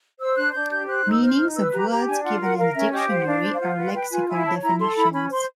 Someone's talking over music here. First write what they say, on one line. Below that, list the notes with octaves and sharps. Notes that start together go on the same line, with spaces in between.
Meanings of words given in a dictionary are lexical definitions.
C5 E6
D4 F#6
D4 G6
G4 G6
C5 F#6
D#4
E6
C5 F6
D#4
B4 E6
G4 A#5
G4 A#5
D4 G#5
F4 F#5
A#4 F#5
A#4 F5
C#4 E5
G4 D#5
C5 F5
F#5
D4 F5
C5
F5
F4 F#5
B4 F#5
B4 G5
F4 G#5
E4 G#5
C#5 A5
E4 A#5
A4 C6
E4 B5
C#4 B5
C5 C6